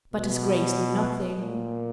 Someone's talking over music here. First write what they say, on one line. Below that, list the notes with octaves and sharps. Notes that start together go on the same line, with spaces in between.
But his Grace knew nothing.
B2
A#2